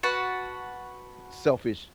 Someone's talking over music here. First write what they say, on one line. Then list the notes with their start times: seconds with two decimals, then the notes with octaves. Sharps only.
eh, selfish,
0.03 F#4 B4 A5